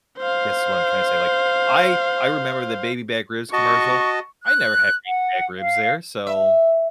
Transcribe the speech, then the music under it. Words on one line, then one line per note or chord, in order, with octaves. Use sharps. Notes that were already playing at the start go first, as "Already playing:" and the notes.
Guess is what I'm trying to say, like, I I remember the baby back ribs commercial. I never had baby back ribs there, so
C5 F5
F#4 D#5 A5 C#6
F#6
F#5
F5
E5